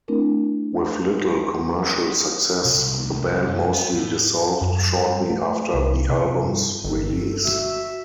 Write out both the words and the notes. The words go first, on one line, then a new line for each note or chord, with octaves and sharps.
With little commercial success, the band mostly dissolved shortly after the album's release.
A3 C4 D4 E4 A#4
C2
F#2
B3
A2
F#2
G2
A3
C2
C3
G2
G1 A4
F#4 E5 E6